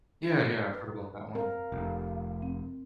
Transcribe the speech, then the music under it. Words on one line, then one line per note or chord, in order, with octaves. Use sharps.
Yeah, yeah, I've heard about that one.
B4
C4 A#4 F5
F1
C4